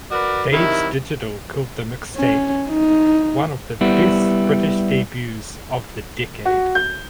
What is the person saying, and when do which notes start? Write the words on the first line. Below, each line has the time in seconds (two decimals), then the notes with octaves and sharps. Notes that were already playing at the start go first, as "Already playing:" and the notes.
Dazed Digital called the mixtape "one of the best British debuts of the decade".
0.12 F#4 A#4 B4 D5
0.52 C3 D#3 F#3 E4
2.17 C#4
2.70 D#4
3.81 G3 B3 E4
6.45 F#4
6.75 G6